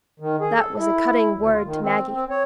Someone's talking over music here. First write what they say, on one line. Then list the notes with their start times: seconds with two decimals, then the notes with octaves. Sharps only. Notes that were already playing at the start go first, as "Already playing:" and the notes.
That was a cutting word to Maggie.
0.20 D#3
0.40 G#4
0.56 A4
0.78 E4
1.34 D2
1.52 F4
1.65 D#3
1.82 C4
2.14 C4
2.30 C#5